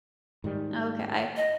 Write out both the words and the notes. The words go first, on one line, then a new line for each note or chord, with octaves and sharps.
Okay. I
G#2 D#3 G3
D#5